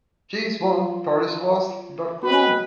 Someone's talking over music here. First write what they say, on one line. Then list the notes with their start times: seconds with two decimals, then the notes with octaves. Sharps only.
Jays won...Tories lost.. dot cool!
0.61 F4
2.23 F#4 B4 D#5